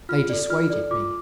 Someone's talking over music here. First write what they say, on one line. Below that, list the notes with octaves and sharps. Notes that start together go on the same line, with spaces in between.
They dissuaded me.
F4 F6
A4 D5
F4 F6
A4 D5
F4 D6